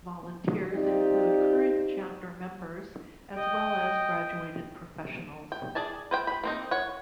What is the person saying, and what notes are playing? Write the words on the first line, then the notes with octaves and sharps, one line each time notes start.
Volunteers include current chapter members as well as graduated professionals.
C4 D#4 F4 G4 D5
D#5 G5
G5
G#4 D5 G#5 A5
B4 C5 G5
B5
A#3 C4 D#4
C#5 F#5